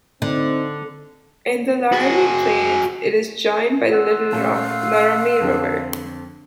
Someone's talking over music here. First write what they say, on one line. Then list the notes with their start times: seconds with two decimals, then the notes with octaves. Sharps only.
In the Laramie Plains it is joined by the Little Laramie River.
0.22 D3 C4 D#4
1.93 F#4 G#4
3.91 F#5 C6 E6
4.32 A#2 A3 C#4 F5
5.41 F2 D3 C4